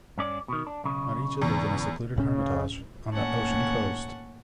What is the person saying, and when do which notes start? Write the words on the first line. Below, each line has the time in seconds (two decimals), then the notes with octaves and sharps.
Maricha lived in a secluded hermitage on the ocean coast.
0.18 G2 C#4 D5
0.48 B2 D#3
0.67 D4
0.84 B1 C#3
1.42 E2
2.16 D1 A2 C#3 C#4
3.13 D#2 A2 C#4 C#5 F#5 A5